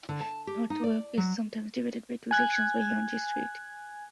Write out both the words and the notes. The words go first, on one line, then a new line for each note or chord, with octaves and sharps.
North York is sometimes divided by two sections by Yonge Street.
D3
A5
G4
D#4
D5
F#3
G#5 F#6 G#6